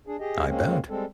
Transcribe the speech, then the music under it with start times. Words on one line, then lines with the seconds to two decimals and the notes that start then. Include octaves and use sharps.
I bet.
0.07 D4 G#4
0.19 G4 G#4 D#5
0.47 F2 G#3 A#3 C4 C#4
0.89 G3 G#3 C4 A4